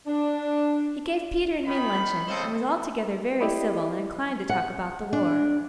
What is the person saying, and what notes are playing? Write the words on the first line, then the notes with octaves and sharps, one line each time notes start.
He gave Peter and me luncheon, and was altogether very civil and inclined to talk about the war.
D4
D#3 B5
C#3 C4 A4 C5 D#5
E4 G4 D5 D#5 B5
F#5
D4